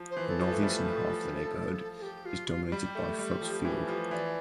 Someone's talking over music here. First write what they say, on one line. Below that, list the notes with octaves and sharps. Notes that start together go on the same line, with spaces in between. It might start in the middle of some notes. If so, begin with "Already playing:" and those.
The northeastern half of the neighborhood is dominated by Felts Field.
Already playing: F3
C5
E3
A4
F3
A4
A3
B4
G3 A4
F3
F3
A4
G4
F4
F4
F4
G3 G4
A3
G3
F3
E3
F3
E3 D5